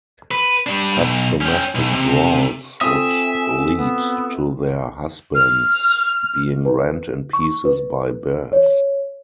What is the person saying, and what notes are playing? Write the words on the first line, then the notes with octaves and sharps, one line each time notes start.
Such domestic brawls would lead to their husbands being rent in pieces by bears.
B4
G3 D4
B1
C#4 G5
B1
C3
C4 F4 A4 E5 G#5 D#6
B3
F6
B4
C#6
B4
C#5